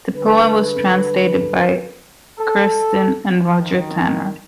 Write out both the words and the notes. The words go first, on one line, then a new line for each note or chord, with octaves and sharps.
The poem was translated by Kerstin and Roger Tanner.
D3 G3 A4 B4
A4
D#3